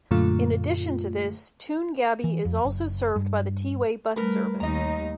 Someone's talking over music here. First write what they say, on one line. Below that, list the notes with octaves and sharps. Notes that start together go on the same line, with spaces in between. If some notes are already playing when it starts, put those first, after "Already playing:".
In addition to this, Toongabbie is also served by the T-Way bus service.
F#2 A#2 D3 A3 F4
E3
F2
F#1
G2
G3 A3 A#4 B4
D#2 D#4 D#5 A#5